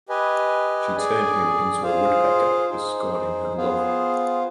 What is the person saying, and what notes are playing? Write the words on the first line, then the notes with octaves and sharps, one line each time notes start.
She turned him into a woodpecker for scorning her love.
G4 B4 D#5 G#5
G#4 D5 G#5
F4 G#4 C5 F5
D#4 G#4 C5
B3 F4 G#4 C5 F5